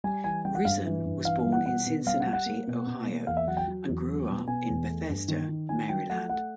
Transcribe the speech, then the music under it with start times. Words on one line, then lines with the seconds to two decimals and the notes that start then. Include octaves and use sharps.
Risen was born in Cincinnati, Ohio, and grew up in Bethesda, Maryland.
0.04 G3 G#5
0.24 E3 G#5
0.45 G3 G5
0.55 F#5
0.65 G2 F5
0.85 E3
1.05 G2
1.25 E3 F5
1.39 F5
1.46 G3
1.52 F#5
1.66 B2 F#5
1.86 B2
2.06 G3 F5
2.20 F#5
2.26 G3
2.33 F#5
2.46 A#3
2.67 B2
2.87 B2
3.07 A#3
3.27 E2 F5
3.37 E5
3.48 F#3 F#5
3.57 G5
3.67 F#3
3.88 E2
4.07 F#3
4.28 B2
4.48 B2 G#5
4.69 E2
4.88 A3
5.09 G2
5.28 D#3
5.49 D#3
5.69 D#3 G#5
5.89 F#3 G5
6.10 A3 F#5
6.29 A3 F#5